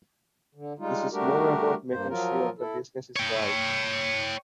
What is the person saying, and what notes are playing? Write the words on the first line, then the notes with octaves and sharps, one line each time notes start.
This is more about making sure the business is right.
D3
G3 G#3 D#4 F4
G3 A3 D4 F#4 G4 A#4
G2 A#3 C5
F3 F#3 F4 A#4
E4 A4
C#5 G5